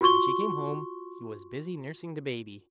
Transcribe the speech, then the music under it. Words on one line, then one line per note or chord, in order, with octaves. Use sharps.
When she came home, he was busy nursing the baby.
F4 F#4 C6 C#6 G7